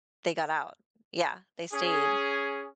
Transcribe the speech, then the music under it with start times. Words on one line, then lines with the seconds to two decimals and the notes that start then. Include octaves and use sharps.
they got out. Yeah, they stayed.
1.72 C#4 G#4